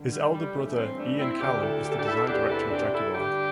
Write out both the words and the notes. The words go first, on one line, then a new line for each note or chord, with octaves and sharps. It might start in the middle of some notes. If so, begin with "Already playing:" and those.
His elder brother Ian Callum is the Design Director of Jaguar.
Already playing: G2 D3
G3
G3
G2 E3 A3
G3 C4
A3 D4
C4 E4
D2 D3 D4 G4
E4 A4
G4
A4
D4 G4
E4 A4
E2 C3 E3 D4 G4
E4 A4
A4
D4 G4
E4 A4
G2 D3 D4 G4